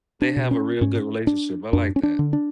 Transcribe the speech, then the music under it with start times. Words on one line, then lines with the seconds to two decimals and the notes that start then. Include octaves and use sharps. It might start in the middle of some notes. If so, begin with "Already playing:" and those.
they have a real good relationship. I like that.
0.22 D4
0.36 B2
0.51 C#4
0.81 G#2 C#4
1.27 D4
1.73 F#2 D4
1.96 C#4
2.03 D4
2.19 D3
2.33 D4